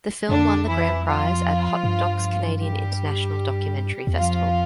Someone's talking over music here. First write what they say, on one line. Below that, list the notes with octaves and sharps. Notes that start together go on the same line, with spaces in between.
The film won the grand prize at Hot Docs Canadian International Documentary Festival.
F2 D3 D4
E3 E4
F3 F4
G2
G3 G4
E2
F2 F3 F4